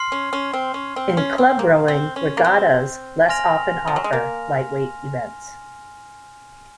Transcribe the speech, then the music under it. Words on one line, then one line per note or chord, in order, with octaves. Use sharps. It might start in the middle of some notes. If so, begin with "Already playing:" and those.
In club rowing, regattas less often offer lightweight events.
Already playing: C6 F6 C7
C#4
C#4
C4
C#4
C4
C#4
C4
A#3
C4
C#4
A#3
C4
G#5 C6 F6 A#6 F7
F3
F#3
G#3
A#3